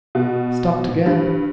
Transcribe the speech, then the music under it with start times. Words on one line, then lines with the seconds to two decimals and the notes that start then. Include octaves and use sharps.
Stopped again.
0.15 B2
1.06 G2